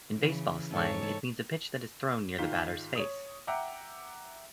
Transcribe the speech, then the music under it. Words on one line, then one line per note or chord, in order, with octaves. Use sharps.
In baseball slang, it means a pitch that is thrown near the batter's face.
C#3 E3
G#2 A4 C#5
G#2 D#3 F4 B6 G7
C#5 D#6
E5 F#5 G5 A#5 D6